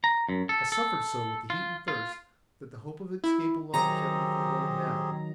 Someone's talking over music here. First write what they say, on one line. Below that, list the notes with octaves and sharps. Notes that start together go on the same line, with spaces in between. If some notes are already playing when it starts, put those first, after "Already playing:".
I suffered so with the heat and thirst, that the hope of escape alone kept me from going mad.
A#5
F#2
A4
A4
F4
F4
E4
D#3 F#3 C4 D#4 G4 G#4 A#5